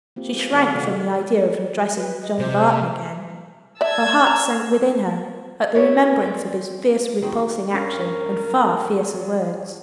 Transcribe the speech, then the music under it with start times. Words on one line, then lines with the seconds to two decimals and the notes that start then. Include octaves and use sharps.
She shrank from the idea of addressing John Barton again; her heart sank within her, at the remembrance of his fierce repulsing action, and far fiercer words.
0.16 A#3 C4 F4 G4
0.32 G3 B3 C4 F4 G#4
0.53 D3 A#3 A4 D5 F5
0.75 C3 D#3 A3 F#4 A4 D5
1.96 B4
2.21 D#5
2.39 C3 C5
3.81 D5 E5 A5 E6 G#6
4.27 A#5
5.75 E4 G4 B4 C#5
6.21 C4 D5
7.22 D#3 C4 F#4
7.72 G2 C#4 A#4 F5